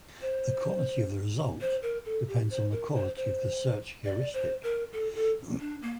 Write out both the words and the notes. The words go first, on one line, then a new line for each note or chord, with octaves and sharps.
The quality of the result depends on the quality of the search heuristic.
C5
C5
A#4
A4
G4
C5
A#4
C5
C5
D5
C5
A#4
A4
A4
D4
A#3